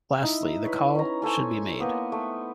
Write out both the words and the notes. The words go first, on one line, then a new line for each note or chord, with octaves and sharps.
Lastly, the call should be made.
D#4 E4
B4 C#5
C#4 A#5
C#4 A4 C5 G#5
A#3 B3 A#4 C5
A3